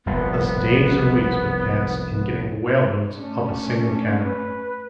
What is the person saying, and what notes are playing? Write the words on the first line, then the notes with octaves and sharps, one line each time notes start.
Thus days or weeks would pass in getting the whale-boats up a single cataract.
F1 C2 A#2 B3
A3 C#4 D4
B4